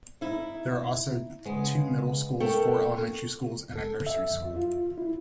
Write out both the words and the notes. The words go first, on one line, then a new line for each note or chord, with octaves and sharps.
There are also two middle schools, four elementary schools, and a nursery school.
D#4 E4
C#3 G#3 B3
A3 A4 A#4 G5
A4
E5
F2
F4
E4